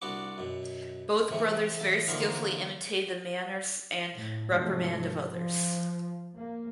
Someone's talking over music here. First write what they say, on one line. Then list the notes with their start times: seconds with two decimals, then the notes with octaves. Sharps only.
Both brothers very skillfully imitated the manners and reprimand of others.
0.02 C2 B3 D4 F#4 D6
0.38 F#2 B2
1.31 C3 E3 G#3 A3
1.79 A1 E5 A5
2.08 D3 E3 F3 A#3 D#4
4.14 A2
4.49 G#2 C3 F3 F#3 A3
5.31 F3
6.35 A#3